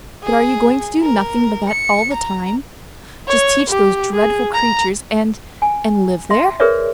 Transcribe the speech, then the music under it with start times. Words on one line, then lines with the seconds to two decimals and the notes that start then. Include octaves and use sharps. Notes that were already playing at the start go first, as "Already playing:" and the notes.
"But are you going to do nothing but that all the time--just teach those dreadful creatures, and--and live there?"
0.23 G#4
1.02 A#4
1.69 C#7
2.13 A#5
3.28 C#5
3.70 G4
4.13 G#4
4.53 A#5
5.62 G#5
6.30 E5 C6
6.60 G#4 A#4 B4 C#5 D5 E5